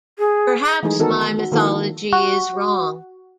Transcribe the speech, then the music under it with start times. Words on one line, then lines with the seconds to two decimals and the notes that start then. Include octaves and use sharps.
Perhaps my mythology is wrong.
0.19 G#4
0.83 E3 F#3 G#3 A3 D#4 G#4
0.99 D#3 B3 D#4 F#4 A4 A#4
1.38 F#4
1.52 D#3 F3 A#3 E4 F#4 A4
2.13 F#4